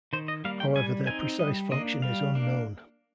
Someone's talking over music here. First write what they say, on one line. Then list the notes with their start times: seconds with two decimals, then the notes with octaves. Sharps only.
However their precise function is unknown.
0.13 D#3 C5
0.28 D#5
0.45 G3 A#3 F5
0.60 G5
0.76 G3 G#5
1.07 C4 D#4 G#5
1.39 G3 D#5
1.71 A#3 D4 D#5
2.02 G3 F5
2.35 A#3 D4